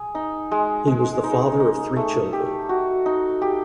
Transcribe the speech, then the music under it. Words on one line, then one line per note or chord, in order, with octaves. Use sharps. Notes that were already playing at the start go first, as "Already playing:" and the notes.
He was the father of three children.
Already playing: G#4
D#4
G#3
G#3
D#4
D#4
A3
G4
F#4
D#4
G4